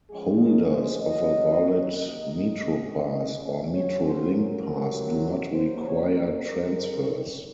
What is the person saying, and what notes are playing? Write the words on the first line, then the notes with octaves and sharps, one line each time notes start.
Holders of a valid MetroPass or MetroLink Pass do not require transfers.
F3 G#3 C#4 G#4
A#4
C5
D#3 F#3 C#4 D#5
C3 D#3 A#3 D#5
A#2 G#3 C#4
C#3 F#3 C#4 C#5
C5
A#4
C3 F#3 C#4 A#4
C3 F#3 A#3 C#4 C5
C#5
C5
C#3 G#3 C4 A#4